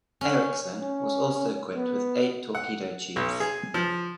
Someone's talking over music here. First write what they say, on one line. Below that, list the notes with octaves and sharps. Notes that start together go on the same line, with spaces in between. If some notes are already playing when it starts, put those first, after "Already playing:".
"Ericsson" was also equipped with eight torpedo tubes.
C#4
C#4
B3
F#5
B1
G#4
F3